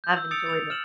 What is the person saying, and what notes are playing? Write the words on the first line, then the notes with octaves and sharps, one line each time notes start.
I've enjoyed it.
G6
E6
D#6 E6 A6 C#7 D7 F7
A6 F7
F6 E7 F#7